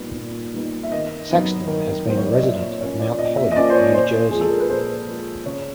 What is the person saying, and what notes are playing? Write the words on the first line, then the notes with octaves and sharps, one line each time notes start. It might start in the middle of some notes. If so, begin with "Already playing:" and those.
Saxton has been a resident of Mount Holly, New Jersey.
Already playing: A#2 G3 B3 D#4
A#2
G3 B3 D#4
E5
D#3 D#5
F#3 B3 D#4
D#3
F#3 B3 D#4 C5
C#5
D5
D#5
A#2 E5
C#5
F3 A#3 C#4 C#5
D5
A#2 D#5
E5
D#5
F3 A#3 C#4 D5
C5
C#5
A#2 C5
F3 G#3 G#4
A4
A#4
B4
A#2 C5
F3 G#3
C#3 C#5